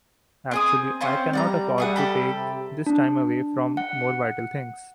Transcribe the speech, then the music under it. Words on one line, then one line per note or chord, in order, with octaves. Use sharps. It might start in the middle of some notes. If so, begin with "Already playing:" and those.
Actually, I cannot afford to take this time away from more vital things.
C4 G#4 D#6
C4 C#4 F4 C5
G3 D5 F#5 A#5
G3 A3 G#4 F#5
G4 A4 B5
C3
D4
F#5